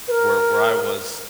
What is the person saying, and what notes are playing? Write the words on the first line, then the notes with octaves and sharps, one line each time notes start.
where where I was,
B4
A#4